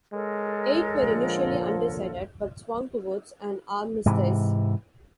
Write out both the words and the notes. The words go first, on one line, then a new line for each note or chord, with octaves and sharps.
Eight were initially undecided but swung towards an armistice.
G#3 A4 A#4 C#5
A#2 D3 F3
G#2 C3 E3